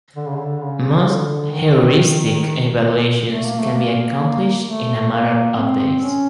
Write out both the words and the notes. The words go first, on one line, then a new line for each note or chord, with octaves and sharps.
Most heuristic evaluations can be accomplished in a matter of days.
D3
C#3
D3
C#3
D3
D#3
A3
A#3
A3
A#3
A3
A#3
C4
C#4